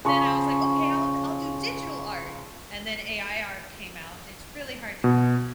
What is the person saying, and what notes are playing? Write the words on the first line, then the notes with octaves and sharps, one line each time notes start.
then I was like, "Okay, I'll d I'll do digital art!" And then AI art came out, and it's really hard to compete in that
C#3 F3 C#5
B2